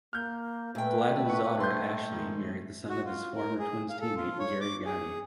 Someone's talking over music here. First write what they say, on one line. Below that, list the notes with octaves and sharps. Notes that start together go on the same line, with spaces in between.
Gladden's daughter Ashley married the son of his former Twins teammate Gary Gaetti.
A#3 F6 G6
A#2 A3 B4 G5
F#5 C#6
C6 G6
G#2 D#3
F#4
F4
A#4
G#4
F5
A4
F4
C#5
D6
G#4